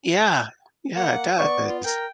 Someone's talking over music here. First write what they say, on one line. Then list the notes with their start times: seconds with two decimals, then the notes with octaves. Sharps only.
Yeah. Yeah, it does.
0.96 A#3 F#5
1.38 B3 D5 C#6
1.69 F4
1.84 A#4 G5